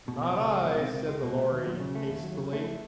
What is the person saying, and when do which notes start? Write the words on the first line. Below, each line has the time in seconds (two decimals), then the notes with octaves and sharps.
'Not I!' said the Lory hastily.
0.08 B2
0.22 C4
0.37 C#2
0.51 G#3
0.64 B2
0.79 C4
0.94 C#2
1.08 G#3
1.23 B2
1.38 A3
1.51 D#2
1.66 F#3
1.80 C#3
1.95 A3
2.09 D#2
2.23 F#3
2.37 C#3
2.53 A3